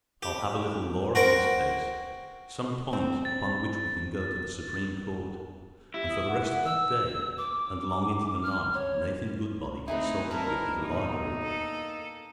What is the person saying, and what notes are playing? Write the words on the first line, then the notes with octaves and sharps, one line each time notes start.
"I'll have a little law on this case,--some point upon which we can go to the Supreme Court," and for the rest of that day and long into the night Nathan Goodbody consulted with his library.
G4
F#4 A#4 C5 G5
C4
A6
E4 G4
D#6
F#5
E6
D6
F6
C#5
A3 C4 D#4 E4 G#4 B4
G2 C4 E4 A#4 B4 A5 B5
E2 A#2 A#3 D#4
A#3 A4